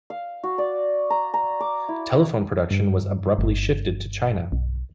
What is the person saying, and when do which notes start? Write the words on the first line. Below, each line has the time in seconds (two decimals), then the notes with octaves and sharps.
Telephone production was abruptly shifted to China.
0.10 F5
0.43 F#4
0.58 D5
1.10 A#5
1.34 A#5
1.60 D6
1.89 E4
2.71 G2
3.38 G1
4.52 B1